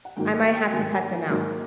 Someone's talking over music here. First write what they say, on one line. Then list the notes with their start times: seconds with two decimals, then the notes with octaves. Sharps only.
I might have to cut them out
0.05 F#5
0.16 G#2 D#3 F#3 A#3 G5
0.54 G5
0.72 G#2 D#3 F#3 A#3 G#5
1.29 G#2 D#3 F#3 A#3